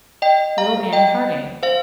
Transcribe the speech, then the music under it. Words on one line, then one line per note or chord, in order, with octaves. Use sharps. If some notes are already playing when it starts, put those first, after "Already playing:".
"Little Annie Harding."
D#5 G5
F5 A#5
D#5 G5
C5 F5